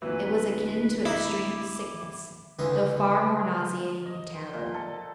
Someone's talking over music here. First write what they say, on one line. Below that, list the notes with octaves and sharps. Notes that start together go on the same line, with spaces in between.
It was akin to extreme sickness, though far more nauseating and terrible.
D1 A#2 E3 F#3 B4
E4 D#5 A#5 D6
C#2 D3 E3 G#3 D#6
D#5
C5
A#2
A4